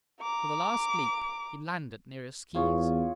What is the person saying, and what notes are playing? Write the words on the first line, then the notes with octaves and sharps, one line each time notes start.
With a last leap he landed near his skees.
A#5 D6
E2 F4 G#4 C#5